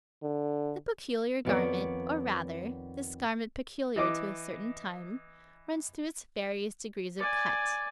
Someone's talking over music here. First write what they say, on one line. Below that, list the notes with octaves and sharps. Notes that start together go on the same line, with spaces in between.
The peculiar garment, or rather, this garment peculiar to a certain time, runs through its various degrees of cut.
D3
F2 D#3 B3 G4 C#5 D5
E3 D#5 D6
D5 G#5